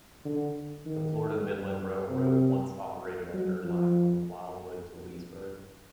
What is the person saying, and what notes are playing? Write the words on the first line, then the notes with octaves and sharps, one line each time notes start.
The Florida Midland Railroad once operated a third line from Wildwood to Leesburg.
D3
D#3
C3
F#3
F3